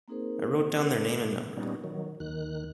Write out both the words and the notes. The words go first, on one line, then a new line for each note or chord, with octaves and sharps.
I wrote down their name and number.
A#3 C4 D#4 G#4 A#4 C5
A#2 G3 B3 C#4 D#4
D#3 F#3
D#2 D#3 F#6